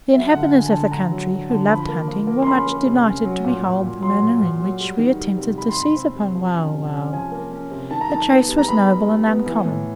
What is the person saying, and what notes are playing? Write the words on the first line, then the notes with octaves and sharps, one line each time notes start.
The inhabitants of the country, who loved hunting, were much delighted to behold the manner in which we attempted to seize upon Wauwau; the chase was noble and uncommon.
F#3 E5
D3 F#5
F5
D3
G#5
A5
D3
D3 A#5
F#3
D3
D3
F3 B5
A#3
F3
A#3
C6
C#4 B5
A#3
C3
C#4
F#3
A#2
A#2
A#2
F#3 C6
A#2
A#2
F#3
G3
D#3
G3
C3
G3 B5
C6
C3 B5
C4
C3
F3
C#4
C3
C#4
F3 G#5
A#3
C#4
C3
D#3 A5
A#5
D#3 A5
B3
G3
A#5
B3 B5
G3
G3
B3
E3
A2